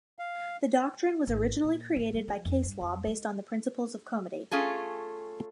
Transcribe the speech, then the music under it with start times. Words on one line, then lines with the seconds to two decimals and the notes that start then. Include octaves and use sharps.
The doctrine was originally created by case law based on the principles of comity.
0.19 F5
1.27 G#1
1.64 A#2
1.96 A1
2.13 G3
2.28 F3
2.45 F2
2.64 G2
2.81 F2
3.06 G#3
4.51 A3 C#4 F4 G#4 A4